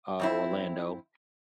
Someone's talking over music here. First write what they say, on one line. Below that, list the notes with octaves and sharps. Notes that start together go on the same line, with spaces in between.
uh, Orlando.
F2 C4 E4